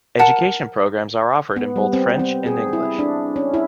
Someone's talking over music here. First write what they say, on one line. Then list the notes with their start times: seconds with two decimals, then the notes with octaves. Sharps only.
Education programs are offered in both French and English.
0.19 A#4 F#5 A5
1.56 B3
1.76 G3
1.93 C4
2.19 C4
2.46 G#4
2.73 E4
2.99 D4
3.36 C#4
3.54 E4